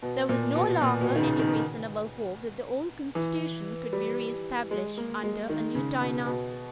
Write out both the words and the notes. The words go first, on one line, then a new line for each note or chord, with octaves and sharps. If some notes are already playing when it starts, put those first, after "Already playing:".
There was no longer any reasonable hope that the old constitution could be reestablished under a new dynasty.
B2
A#2
B2
A#2
B2
D#3
C#3
D#3
E3
G3
G#3
A#3
G#3
D#3
C#3
B2
B2